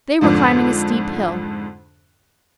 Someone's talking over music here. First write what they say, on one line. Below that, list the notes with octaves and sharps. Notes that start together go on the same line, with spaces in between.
They were climbing a steep hill.
F2 G#2 D3 D4